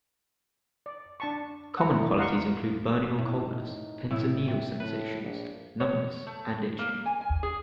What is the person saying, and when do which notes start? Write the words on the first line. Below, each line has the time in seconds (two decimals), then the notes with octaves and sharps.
Common qualities include burning or coldness, "pins and needles" sensations, numbness and itching.
0.86 D5
1.20 D4 A5 C#6
1.77 F#5 A#5
1.96 E4
2.17 D#5 F5 F#5 A#5 C6 C#6
3.19 A2 D#4
4.11 C2 A2 E4
4.48 C3
4.80 A2 B4
5.21 A#1
5.80 C#5
6.27 A3
6.79 A#3
7.06 G#5
7.21 G#5
7.43 G#4